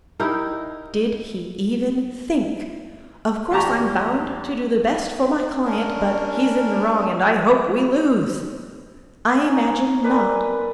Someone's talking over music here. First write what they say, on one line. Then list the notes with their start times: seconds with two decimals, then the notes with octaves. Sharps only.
Did he even think, "Of course I'm bound to do the best for my client, but he's in the wrong, and I hope we lose?" I imagine not.
0.20 D#4 E4 G4 A#4
3.51 E2 G4 A5 A#5 C#6
5.65 C#4 D4 A#4
9.42 C#4 D#4
10.04 A#4 B4 D5 G#5